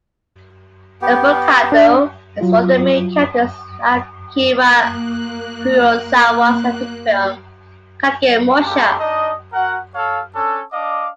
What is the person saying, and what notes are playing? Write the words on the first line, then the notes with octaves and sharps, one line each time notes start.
Nobukado is one of the main characters in Akira Kurosawa's epic film "Kagemusha".
B3 G4
D4
F#3 F4
A#3 F#6
G#3 A#3 C#4 G4 A4
D4 D#4 D#5
F#4 A#4 F#5
A4 C#5 F5
C#4 D4 A4
D4 D#5 F5 D6